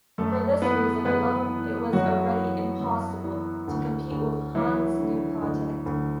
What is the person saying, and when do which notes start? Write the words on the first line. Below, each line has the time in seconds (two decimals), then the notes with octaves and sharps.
For this reason alone it was already impossible to compete with Hahn's new project.
0.18 F#2 A3 A4
0.62 E3 B3 B4
1.05 F#2 B3 B4
1.49 E3
1.93 F#2 F#3 F#4
2.37 E3
2.80 F#2
3.24 E3
3.67 D2
4.11 D2
4.55 E3 F#3 E4
4.99 D3
5.42 D2
5.86 D2